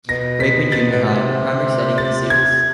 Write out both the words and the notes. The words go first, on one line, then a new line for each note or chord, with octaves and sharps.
Wakeman Junior High The primary setting of the series.
B2 A#6
B6
A6
B2
C3
A6
G#6